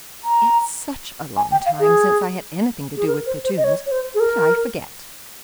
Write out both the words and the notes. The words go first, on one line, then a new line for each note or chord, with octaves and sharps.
It's such a long time since I had anything to do with platoons that I forget.
A#5
G#5
G5
F5
G#4
G#4
A#4
C5
C5
D#5
C#5
C#5
C5
G#4
A#4